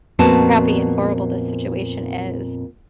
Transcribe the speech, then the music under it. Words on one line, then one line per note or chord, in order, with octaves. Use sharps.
crappy and horrible this situation is,
F2 A#2 B3 C4 F#4 A5